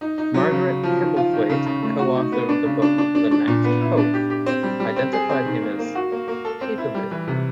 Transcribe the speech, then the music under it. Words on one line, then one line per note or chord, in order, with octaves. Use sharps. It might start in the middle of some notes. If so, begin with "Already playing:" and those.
Margaret Hebblethwaite, co-author of the book "The Next Pope", identified him as "papabile".
D#4
D#4
F#3
C#3
C#3
F3
D#3
F4
D#3
C#3
C#3
A3
F#4
D#4
B3
D4
C#3
D4
D4
D4
D4
A#2
B3
E4
D4
G4
G4
C4
G3
G3
C4
G#4
C4
D#3
A#3
A#3
F#4
A#3
A#3
A4
C4
E4
G3
E3
C3